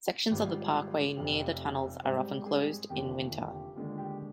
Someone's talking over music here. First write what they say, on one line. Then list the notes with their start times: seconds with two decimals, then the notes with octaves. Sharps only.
Sections of the parkway near the tunnels are often closed in winter.
0.31 G#1 G#2 G3 F4
1.17 F1 F2 C3
2.04 G#2 G3 C4 C5
2.46 G#4
2.89 F1 D#2 D3 F3 G4
3.48 G4
3.76 D#2 D3 G#3 F4
3.98 G4